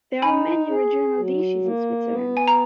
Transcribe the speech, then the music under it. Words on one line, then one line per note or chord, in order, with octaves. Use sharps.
There are many regional dishes in Switzerland.
D#4 G#5 B5
G#4
F#3
A#3
B3
G#5
A#5